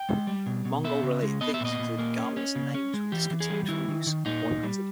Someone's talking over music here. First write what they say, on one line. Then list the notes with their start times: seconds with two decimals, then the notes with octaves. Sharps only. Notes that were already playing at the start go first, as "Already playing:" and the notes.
Mongol-related things, including garments and names, were discontinued from use and boycotted.
Already playing: G5
0.09 G#3
0.27 G3
0.46 B2
0.65 B2
0.84 B3 E5
1.03 C#3
1.23 G#3
1.41 B3 D#5
1.54 E5
1.60 A#2 D#5
1.79 A#2
1.99 A#3
2.17 C#4
2.37 C#4
2.56 C#3
2.74 C#4
2.94 G#3
3.12 E3 G4
3.31 E3
3.40 G#4
3.50 G3
3.69 D#3 E4
3.88 D#3
4.07 D#3
4.26 A#2 D#4
4.45 A#2
4.63 G3